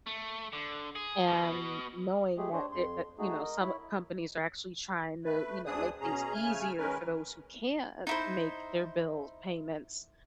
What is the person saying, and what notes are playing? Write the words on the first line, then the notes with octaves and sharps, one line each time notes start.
and knowing that it that, you know, some companies are actually trying to, you know, make things easier for those who can't make their bill payments
A3
D3
G#4
B2
G#3 A3 G4 G#4
D4 C5 C#5
F2 C6
A3 D#4 F#4 G#4
A#4 D#5
E4 C#5 B5
A3 B4
D2 C4 D4 G#4 D#6
B2 C#4 G#4 A#5
C#3 A3 G#5 F6
D#3 G#3 C#4 A#4 B4
D#4 E4 C5